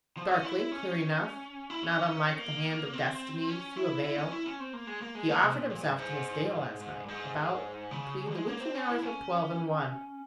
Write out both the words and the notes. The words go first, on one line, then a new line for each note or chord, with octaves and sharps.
"Darkly: clear enough: not unlike the hand of destiny--through a veil. He offered himself to Miss Dale last night, about between the witching hours of twelve and one."
F3
C#4
E4
E4
C#4
E4
C#4
A#3
C4
C#4
E4
E4
C#4
E4
C#4
C4
A#3
G#3
A#3
G#3
A#3
C3
A#2
A#2
G#2
G2
G#2
G#2
G2
G#2
G#2
C#3
G#3
A#3
C4
C#4
E4
C#4